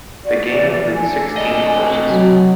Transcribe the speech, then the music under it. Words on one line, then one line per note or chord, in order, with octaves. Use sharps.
The game includes sixteen courses.
F#4 D5
E3 F3
A3 D4 A4 G#5
C3 D#5
F#3